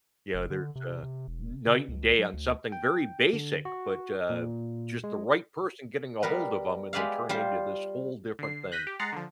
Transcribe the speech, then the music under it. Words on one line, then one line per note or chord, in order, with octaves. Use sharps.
You know, there's a night and day on something very basic, but, uh, just the right person getting a hold of 'em and they turn into this whole different thing.
F1
D3
C3
C3
E1
C#3
C#2
F#3
D2
G5
D3
F#4
A#2
G#3
G3 B3 A#4 B4
G#3 G4 B4 D5 E5 F5
G3 F4 C5
D3 C7
F#6 G6 A#6 B6 D#7
G4
G#3 F#5 A#5 A6 C7
D3 F3